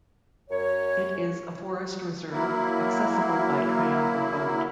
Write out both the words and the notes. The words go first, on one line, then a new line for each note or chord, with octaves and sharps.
It is a forest reserve, accessible by train or boat.
F#2 C#5
F#3 A#3 E4